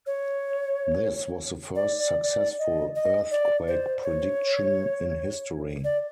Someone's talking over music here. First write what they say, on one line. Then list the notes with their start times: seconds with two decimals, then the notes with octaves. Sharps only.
This was the first successful earthquake prediction in history.
0.07 C#5
1.75 D5
1.99 D5
2.23 D5
2.59 D#5
2.96 D#5
3.31 D5
3.68 C5
4.03 C#5
5.84 D5